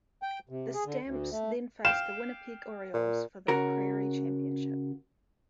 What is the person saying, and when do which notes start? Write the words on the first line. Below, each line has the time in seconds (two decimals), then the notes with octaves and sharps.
The Stamps then faced the Winnipeg Orioles for the Prairie championship.
0.22 G5
0.49 C3
0.74 G#4
0.86 D3
1.05 D2
1.32 A3
1.85 F5 G5 E7
2.94 A#2
3.48 C#3 F#4 A#4